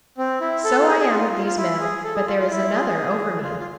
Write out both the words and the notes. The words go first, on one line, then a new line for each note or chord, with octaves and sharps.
"So I am of these men; but there is another over me."
C4
E4
A4
F4
G#4
G#4
F4
F4
E4
G#4
A4
G#4
F4
F4
E4
G#4
F4
G#4
F4
F4